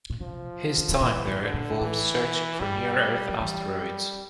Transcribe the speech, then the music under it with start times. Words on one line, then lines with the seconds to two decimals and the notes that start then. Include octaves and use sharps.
His time there involved searching for Near Earth Asteroids.
0.10 A#2
0.21 C3 F3
0.78 D3
0.89 C3
1.00 A#2 E3
1.27 A2
1.41 D3
1.54 A#2
1.80 A2 E3
2.60 G2 G3
3.29 F3
3.40 E3 G3